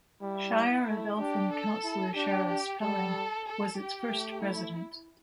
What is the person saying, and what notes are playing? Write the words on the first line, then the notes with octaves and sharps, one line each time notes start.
Shire of Eltham Councillor Charis Pelling was its first President.
G3 E4
A3
D4 G4
A4
E4
D4 G4
G4
G3 A4
A4
G4
A3
E4